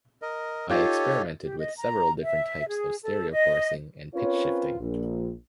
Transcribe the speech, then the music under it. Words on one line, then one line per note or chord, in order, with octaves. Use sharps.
I experimented with several different types of stereo chorusing and pitch-shifting.
A#4 D#5
D#4 F4 G4 A4 C#5
G4
D#5
A#5
E5
G#4
A4
D#5
C4 C#4 F4 A#4 B4 C#5
A#1